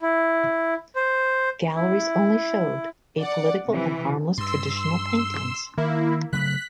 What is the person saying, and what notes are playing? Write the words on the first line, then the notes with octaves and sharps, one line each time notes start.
Galleries only showed apolitical and harmless traditional paintings.
E4
C5
E4
D5 F#5
C3 E3
G2 C6 E6
D#3 A#3 E4
C#3 F#3 A3 F#6 B6